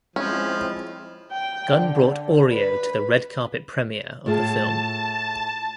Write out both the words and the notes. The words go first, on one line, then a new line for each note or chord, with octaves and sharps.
Gunn brought Oreo to the red carpet premiere of the film.
F3 G#3 C4 C#4 E4
G5
D3
B4
A2 F4 G#4 A5